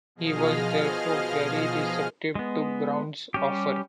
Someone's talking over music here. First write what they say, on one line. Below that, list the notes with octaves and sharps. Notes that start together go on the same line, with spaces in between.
He was therefore very receptive to Brown's offer.
B2 F3 G#4 D#5 F5 F6
G#3 B3
G3 C#4 G4